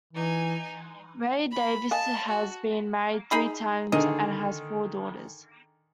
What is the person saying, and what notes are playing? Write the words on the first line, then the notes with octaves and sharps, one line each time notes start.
Ray Davies has been married three times and has four daughters.
E3 D#4 G#5
B5
A#3 D#5 G#5 A5
F#4
D#4 G#4 B5
D3 D#3 G#4 D#5